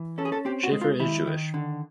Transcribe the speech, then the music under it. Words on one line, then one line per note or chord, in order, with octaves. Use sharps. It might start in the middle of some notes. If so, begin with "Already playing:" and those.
Schaffer is Jewish.
Already playing: E3
C#4 A4
G#4
A4
C4 G4
F#4
G#3
F4
D#3 E4
D#3
D3